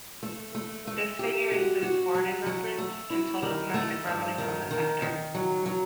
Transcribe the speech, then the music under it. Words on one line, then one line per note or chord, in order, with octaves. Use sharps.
This figure includes foreign investment and total domestic revenue from the sector.
A3
A3
A3
G4
F#4
F#4
F#3
F#3
A3
E4
D#3
A3
G2
D#3
D#3
D#3
F#3
F#3